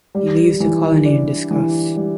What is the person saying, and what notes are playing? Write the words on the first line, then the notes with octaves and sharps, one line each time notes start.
He leaves the colony in disgust.
G3
E3
D4
E3
G3